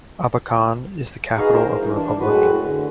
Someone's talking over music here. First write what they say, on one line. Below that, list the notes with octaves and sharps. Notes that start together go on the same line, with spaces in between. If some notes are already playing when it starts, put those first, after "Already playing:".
Abakan is the capital of the republic.
B3 D#4 F#4 G#4 F5 A#5
A#4 C5
G2 E3
E3 D4
F#2 A2 G#3 F#4 B4
D3